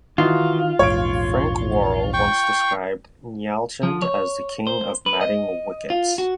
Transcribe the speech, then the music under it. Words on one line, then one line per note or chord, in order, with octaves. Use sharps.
Frank Worrell once described Nyalchand as the 'king of matting wickets'.
D#3 E3 D#4 F4 F#4
A#1 E2 G#2 C#5 D7
G5 C#6
F3
C#5
C5
B4
D#5
F4
F#4